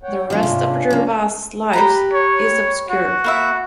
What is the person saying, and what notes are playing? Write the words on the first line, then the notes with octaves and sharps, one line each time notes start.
The rest of Gervase's life is obscure.
C#5 F#5 G5
D#3 F#3 B3 C#4 D4 F4
G#2 C3
C#3 A#3
G4 B4 A#5
C#5
F#4
A#3 E4 E5